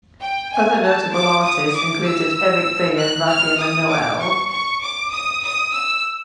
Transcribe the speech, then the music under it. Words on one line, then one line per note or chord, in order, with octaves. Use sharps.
Other notable artists included Eric B and Rakim and Noel.
G5
G#5
A5
D6
D#6
D6
E6
F#6
F6
D#6
D6
C#6
C#6
D6
D#6
D#6
E6